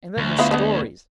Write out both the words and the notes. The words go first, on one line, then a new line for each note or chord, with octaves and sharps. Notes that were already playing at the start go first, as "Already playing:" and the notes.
And then her stories!
D2
B3 E4 F4
B3 D4 D#5